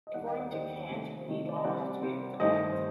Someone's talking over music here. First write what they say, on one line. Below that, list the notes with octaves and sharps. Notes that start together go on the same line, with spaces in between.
According to Kant, we need laws to be able to act.
D#5
D#2 D#3 G3 A#3 D5 F#5
D#5 G5
D5 F#5
D#2 D#3 G3 A#3 C5 D#5
C3 D#3 A3
C3 D#3 A3
D5
D#5
C3 G3 C4 D5 F#5
C3 G3 C4
G2 D#3 A3 D#4 C5 D#5
C5